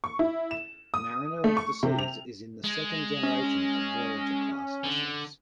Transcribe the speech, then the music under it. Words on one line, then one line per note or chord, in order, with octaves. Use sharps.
"Mariner of the Seas" is in the second generation of "Voyager"-class vessels.
C#6
E4
E7
D#6
A3
C#6
C3
F7
G#3
C#4
D3